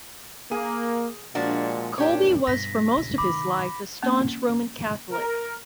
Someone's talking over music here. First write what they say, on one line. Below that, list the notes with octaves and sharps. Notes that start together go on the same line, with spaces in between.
Colby was for most of his life a staunch Roman Catholic.
A#3 G#4
A#2 F3 G#3 D4 F#4
A#2 D4 G4 C#5
G2 B2 A#6 B6
A#1 C#3
C3 D#3 B5 D6
A#3 C#4
A#4